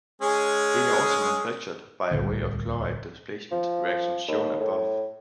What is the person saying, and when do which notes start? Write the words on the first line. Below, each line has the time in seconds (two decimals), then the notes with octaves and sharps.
They are also manufactured by way of the chloride displacement reaction shown above.
0.21 G#3 C#4 G#4
2.11 D1 C2
3.51 F3
4.28 D#2
4.60 A2